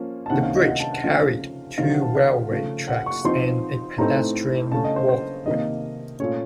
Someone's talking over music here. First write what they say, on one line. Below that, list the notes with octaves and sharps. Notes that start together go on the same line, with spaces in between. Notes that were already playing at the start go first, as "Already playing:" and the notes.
The bridge carried two railway tracks and a pedestrian walkway.
Already playing: F3 A#3 C#4
A5
C3 D#3 A#3 C#4 F#5
F5
D#5
F#5
A5
F#5
C#3 F3 A3 C#4 F5
C3 D#3 F#3 C4 D#4 F5
F#5
A5
F5
C#3 F3 A3
F#5
C#6
F3 C4 D#4 C6
A2 A3 C4 D#4 A#5
C#3 A3 C#4 A5
D#5
C5
C5
C3 D#3 A#3 D#5
A#2 A3 C#4 C#5